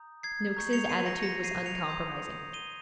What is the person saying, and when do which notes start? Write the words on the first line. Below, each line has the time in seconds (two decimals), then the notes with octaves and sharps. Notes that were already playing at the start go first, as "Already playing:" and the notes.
Noakes's attitude was uncompromising.
Already playing: A#5 D#6 G6
0.23 G#6 C7
0.56 A#5 C#6 G6
0.73 C#7 F7
0.89 C7 D#7
1.06 A#6 C#7
1.23 A#6 C#7
1.44 C7 D#7
1.66 C#7 F7
1.88 C6 D#6 G6
2.53 D#7 G7